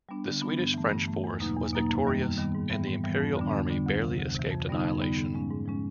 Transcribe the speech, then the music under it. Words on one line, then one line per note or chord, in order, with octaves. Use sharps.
The Swedish-French force was victorious, and the Imperial army barely escaped annihilation.
G3 B3 D4
D3
G3 B3 D4
G2
E3 A3
G2
E3 A3
E2
B2 F#3 A#3 D#4
E2
B2 F#3 A#3 D#4
F#2
D#3 G3 B3
F#2
D#3 G3 B3
G#2
E3 G3 B3
G#2
E3 G3 B3
F2
D3 G3 B3 D4
F2
D3 G3 B3 D4
D2
C3 E3
D2
C3 E3
F2
D3 G3 B3 D#4
F2
D3 G3 B3 D#4
G#2
F3 G#3 C#4
G#2
F3 G#3 C#4